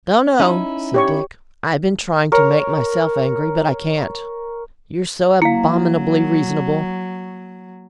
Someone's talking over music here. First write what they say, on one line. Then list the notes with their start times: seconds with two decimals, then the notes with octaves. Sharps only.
'Don't know, said Dick. 'I've been trying to make myself angry, but I can't, you're so abominably reasonable.
0.40 C#4 D#4 E4
0.94 G4 C#5 C#6
2.32 A#4 C#5
5.42 F#3 A#3 E4 F5